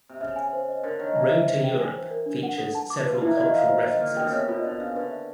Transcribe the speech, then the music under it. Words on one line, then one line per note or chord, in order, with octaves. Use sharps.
"Road to Europe" features several cultural references.
C3
C#3 E5
G#5
C5
D#5
D3 A#4
D#3 C#5
E3 A5
C5
D5
G5
G#5
C5
A#4
D4
F#5
A4
A5
D6
F3 B4
E3 E4
D#3 D5
F5
C5
D#5
A#2 D#5
B2 G5
C#3
C3 C#5
B2 F4
D3 D5
C#3 F5
D3 B4
E5